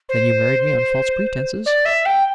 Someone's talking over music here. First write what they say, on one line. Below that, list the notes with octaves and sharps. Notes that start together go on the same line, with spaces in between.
'Then you married me on false pretences?'
C5
D5
E5
G5